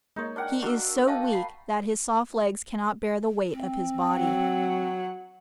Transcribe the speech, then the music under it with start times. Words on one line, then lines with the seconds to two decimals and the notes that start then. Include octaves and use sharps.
He is so weak that his soft legs cannot bear the weight of his body.
0.16 G#3 A#3 D#4 C#5
0.36 D4 A#4 D5 F#5 G5
0.62 A#3 D4 F#4 C#6 E6
1.07 D#5 F5 G5 A5
1.33 B5 C7
3.52 C4
4.13 F#3 F#5